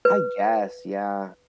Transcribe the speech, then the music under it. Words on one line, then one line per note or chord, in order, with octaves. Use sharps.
I guess, yeah.
B4